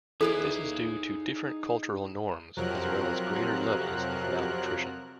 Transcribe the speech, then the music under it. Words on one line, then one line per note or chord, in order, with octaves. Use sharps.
This is due to different cultural norms as well as greater levels of malnutrition.
D#4 E4 G#4 A4 B4 D5 F5
F2 C3 F3 F#3 A#4 F#6